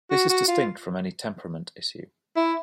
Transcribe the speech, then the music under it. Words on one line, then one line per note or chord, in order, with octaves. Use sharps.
This is distinct from any temperament issue.
F#4
F#4
F4
E4